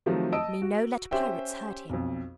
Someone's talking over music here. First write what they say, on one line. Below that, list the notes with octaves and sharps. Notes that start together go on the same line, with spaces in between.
Me no let pirates hurt him.'
C3 D#3 F3 F#3 A3
D#5 A5 E6 D7
F#4
C#4 G4 C5 E5 G5
B1 F2